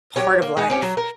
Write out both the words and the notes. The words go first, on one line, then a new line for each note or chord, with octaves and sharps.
part of life,
F#3 G4 C#5
A#3
G#3 D#4 F#4
C4 C#4 G4
F#3
A#4